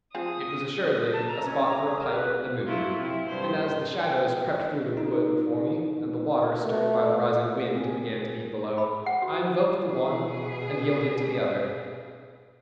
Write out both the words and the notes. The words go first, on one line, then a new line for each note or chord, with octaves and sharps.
It was assuredly a spot for a pipe and a mood, and as the shadows crept through the wood before me and the water, stirred by the rising wind, began to beat below, I invoked the one and yielded to the other.
F3 C4 G#4 D#6
A5
A#5
C#4
A#5
G#4
A#4
B4
F#3 E4 F4
C3 E4
G2 C5
G5
D#4
A3
A#3 C4 G#4
B5
F#5
F#4
B2 G#4